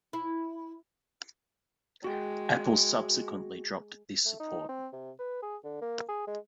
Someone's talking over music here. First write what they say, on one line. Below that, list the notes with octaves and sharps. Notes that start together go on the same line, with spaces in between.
Apple subsequently dropped this support.
E4
G#3 F#4 G5
A3
D#4
C4
C3
B4
G#4
D3
A#3
G#4
G#3